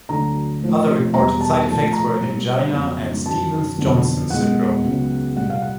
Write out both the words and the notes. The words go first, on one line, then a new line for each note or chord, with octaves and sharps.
Other reported side-effects were angina and Stevens-Johnson syndrome.
D2 D3 F#3 A#5
A2 F3 A#3
E2 B2 G3 B3 A#5
A5
A#2 F3 A3 A5
A#5
B2 G3 A#3
F2 C#3 F#3 B3
F#2 D#3 F#3 A5
F2 D3 F#3 B3
B2 G#3 B3 F#5
C#2 C#3 F#3 B3
C2 A#2 G3 F#5
F5
F#5